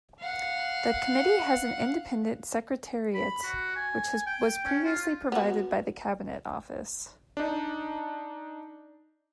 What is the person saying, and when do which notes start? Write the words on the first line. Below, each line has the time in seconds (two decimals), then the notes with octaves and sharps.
The committee has an independent secretariat which was previously provided by the Cabinet Office.
0.20 F5 F#5
3.15 B5
3.44 F#4
3.76 G#5
4.27 G5
4.65 C#4
4.85 F4
5.32 B3 F#4
7.37 D4 D#4